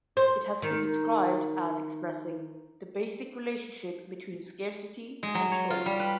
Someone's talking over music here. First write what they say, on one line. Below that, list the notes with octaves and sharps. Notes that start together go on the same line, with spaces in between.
It has been described as expressing "the basic relationship between scarcity and choice".
C5
D#3
G#3
F#3
C#5
F4
G3
B4